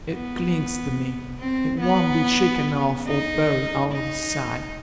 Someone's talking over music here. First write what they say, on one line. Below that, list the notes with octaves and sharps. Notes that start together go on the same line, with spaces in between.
It clings to me; it won't be shaken off or buried out of sight.
B3
C4
B3
D#4
D#4